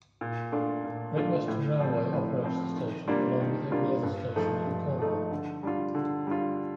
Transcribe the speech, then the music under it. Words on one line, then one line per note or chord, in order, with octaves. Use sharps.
Great Western Railway operates the station along with every other station in Cornwall.
A#2
A3 D4 F4
A#2
A3 D4 F4
A2
F3 C4
A2
F3 C4
D#3
G3 A#3 D4 F4
D#3
G3 A#3 D4 F4
G2
F3 A3 D#4
G2
F3 A3 D#4
D3
G3 D4 F4
D3
G3 D4 F4